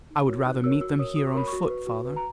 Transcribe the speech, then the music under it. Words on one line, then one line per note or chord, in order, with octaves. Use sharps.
"I would rather meet them here on foot, father."
D#4
F#4 A#4 C#5
D#4 F#6
F#4 A#4 C#5 E6
F#4 E6
A#4 C#5 D#6
F#4 D#6
C#6
A#4 C#5 B5
F#4 C#6
B4
F#4
B4
A#5